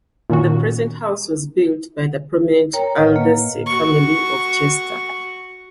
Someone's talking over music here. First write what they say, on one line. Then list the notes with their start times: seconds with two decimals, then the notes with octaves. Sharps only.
The present house was built by the prominent Aldersey family of Chester.
0.30 A#2 D#3 C#4 F#4
2.73 A#4 C#5 G5 A#5
2.96 A2 B4 D#5 F5 F#5 F6
3.16 A#3
3.66 F#4 C#6